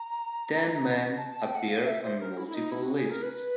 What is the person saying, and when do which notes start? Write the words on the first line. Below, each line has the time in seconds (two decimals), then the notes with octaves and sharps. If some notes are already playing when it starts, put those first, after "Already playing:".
Ten men appear on multiple lists.
Already playing: A#5
1.16 A5
1.28 A5
1.42 G5
1.55 F#5
1.68 F5
1.85 E5
2.02 C5
2.20 A#4
2.37 E4
2.47 E4
2.54 D#4
2.70 E4
2.83 F#4
2.96 G#4
3.10 A#4
3.22 B4